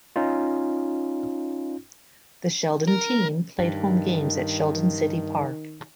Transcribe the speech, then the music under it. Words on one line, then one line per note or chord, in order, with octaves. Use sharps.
The Sheldon team played home games at Sheldon City Park.
C#4 D#4 F4
A#4
G2 D#3